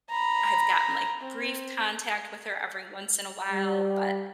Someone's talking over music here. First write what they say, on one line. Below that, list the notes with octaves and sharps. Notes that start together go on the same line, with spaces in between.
I've gotten like, brief contact with her every once in a while, but
A#5 B5
C4
G3